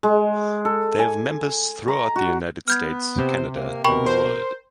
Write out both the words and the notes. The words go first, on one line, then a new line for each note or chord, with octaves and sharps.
They have members throughout the United States, Canada and the world.
G#3
A4
G#5
A#5
F#4
B3 F6 G6 G#6
C3 C5
A#3
B2 A#4 G5 B5 C#6
C5